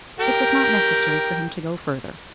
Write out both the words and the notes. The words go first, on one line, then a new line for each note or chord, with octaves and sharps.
It was not necessary for him to go further.
G4 A#4 G5